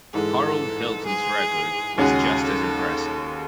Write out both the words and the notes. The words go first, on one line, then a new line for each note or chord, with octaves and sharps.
Harold Hilton's record was just as impressive.
G#2 E3 G#3 A4
G#4
D#2 C#3 G#3 C#4 F#4 G#4
A4